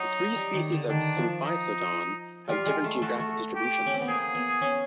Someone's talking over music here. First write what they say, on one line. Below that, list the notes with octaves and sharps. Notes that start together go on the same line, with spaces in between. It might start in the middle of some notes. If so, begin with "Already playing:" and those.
The three species of "Symphysodon" have different geographic distributions.
Already playing: F#3 D#4
G3
D#3
D3
D#3 D4
F3
D#4
G3 F4
G#3
A3
A3 F#4
A3
G4
C#4
C4
B3
A#3 G#4
B3
C#4